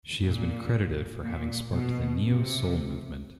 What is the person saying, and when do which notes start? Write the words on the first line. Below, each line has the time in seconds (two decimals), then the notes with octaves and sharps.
She has been credited for having sparked the neo-soul movement.
0.21 A#2
1.22 A#2
1.72 B2
2.23 C3